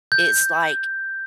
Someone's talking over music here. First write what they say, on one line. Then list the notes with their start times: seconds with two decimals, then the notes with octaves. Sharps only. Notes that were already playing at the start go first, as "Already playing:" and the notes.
It's like
0.12 G6